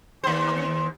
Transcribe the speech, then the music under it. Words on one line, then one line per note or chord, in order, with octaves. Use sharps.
and I
D#2 C5